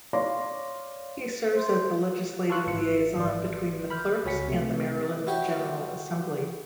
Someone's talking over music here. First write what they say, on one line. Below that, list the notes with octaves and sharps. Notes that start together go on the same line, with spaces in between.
He serves as the legislative liaison between the Clerks and the Maryland General Assembly.
C#5 D5 F5 C6 D6 A#6
C5
F5 A5 C6 C#6 E6 F#6
G#1 F4 C#7
G#1 D#3 D5 C6
B5 F6 G6
C#2 F#4 C#5 G#5 B6 C#7
C3 A3
E4 F#4 G4 C#5